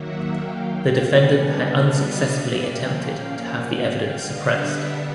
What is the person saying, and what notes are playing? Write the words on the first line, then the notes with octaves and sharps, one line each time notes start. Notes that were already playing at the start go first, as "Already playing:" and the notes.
The defendant had unsuccessfully attempted to have the evidence suppressed.
Already playing: D#3 F#3 A#3 E5 F#5
F5 G5
B2 G3 B3 D4 F#5 G#5
D#5 F5
D5 E5
A#2 F3 A#3 C#4 F5 G5
F5 G5
F#5 G#5
F5 G5
D3 G3 B3 D4 D#5 F5
E5 F#5